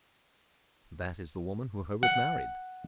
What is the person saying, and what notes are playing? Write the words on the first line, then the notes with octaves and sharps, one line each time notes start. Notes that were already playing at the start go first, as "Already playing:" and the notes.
"That is the woman who Herbert married."
F#5